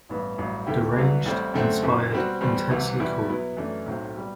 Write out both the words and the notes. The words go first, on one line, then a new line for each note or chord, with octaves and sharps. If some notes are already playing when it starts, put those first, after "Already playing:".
Deranged, inspired, intensely cool.
A1 G2 E3 B3
A1 G2 F#3
D2 D3 A3 E4 G4
C2 B2 F#3 B3 D4
A1 A2 G3 C4
F#2 D3 A3 C4 F#4
F#1 F#2 F#3
B2 G3 C4 F#4
E2 B2 G3 C4
C2 C3 E3
E2 B2 G3 B3 E4
B2 F#3 B3 E4
F#2 E3 A3 D4
B1 A2 F#3 C4
B2 G3